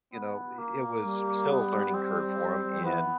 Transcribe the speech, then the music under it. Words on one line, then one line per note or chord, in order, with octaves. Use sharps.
you know, i it was still a learning curve for him, and
B3
A#3
G3
B3
C4
F3
E3 B3